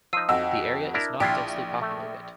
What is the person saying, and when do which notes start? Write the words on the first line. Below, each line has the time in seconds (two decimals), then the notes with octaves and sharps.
The area is not densely populated.
0.13 F3 D#4 E6 C7 D#7
0.29 F2 F#4 D#5 E6
0.94 D4 E4 A#4
1.20 A#1 D4 E4 F4 G5 B6
1.81 A3